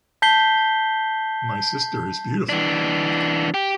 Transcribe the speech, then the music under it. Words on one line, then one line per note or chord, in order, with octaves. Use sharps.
My sister is beautiful.
A5 G6 B6 C7 G7
E3 D4
G4